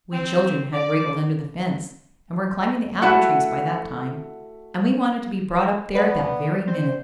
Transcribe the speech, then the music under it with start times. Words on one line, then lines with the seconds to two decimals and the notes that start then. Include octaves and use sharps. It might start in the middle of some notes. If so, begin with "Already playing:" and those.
We children had wriggled under the fence, and were climbing the apple trees by that time, and we wanted to be brought up there that very minute.
0.12 C4
0.73 D5
3.02 A3 E4 F#4 F#5
5.95 B3 B4 D5
6.68 C4 C5